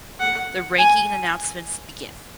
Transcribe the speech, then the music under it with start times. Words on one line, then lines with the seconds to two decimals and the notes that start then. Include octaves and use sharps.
The ranking announcements begin.
0.20 F#5
0.78 G#5